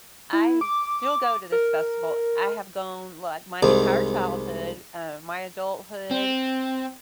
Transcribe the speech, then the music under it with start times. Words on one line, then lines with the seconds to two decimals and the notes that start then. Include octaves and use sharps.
I still go to this festival. I have gone, like, my entire childhood, um, my adulthood,
0.33 E4
0.61 D6
1.52 A#4
3.63 C2 G#2
6.11 C4